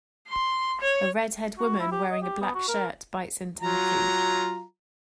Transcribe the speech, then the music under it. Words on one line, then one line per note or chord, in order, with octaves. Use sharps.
A redhead woman wearing a black shirt bites into her food.
C6
C#5
F#4
E4
G4
D#5
G4
B3
F#4
A#4
F#3 F4 A#5